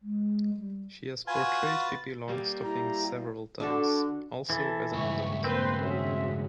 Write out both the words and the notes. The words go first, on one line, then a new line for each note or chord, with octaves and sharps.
She has portrayed Pippi Longstocking several times, also as an adult.
G#3
G3
F4 F#4 B4 G#5
A6
G3 A#3 G4
E4 A#5
D3 D4 F#4 A4
E3 A4
C#2 G2 E5 C#6
A#3 C4 B4 C5 C6
C#4 F#4 G#4 E5